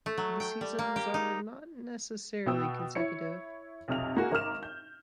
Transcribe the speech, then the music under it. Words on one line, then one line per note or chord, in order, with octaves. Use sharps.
The seasons are not necessarily consecutive.
A3
F#3
G5
G3
A#3
G4
D#4
B2 B3 G5 E6
E4 C#5 C#7
B1 F2 C3 F6 F7
A#3 F#4 G#4
G#1 A#4 D6 F6 E7
G6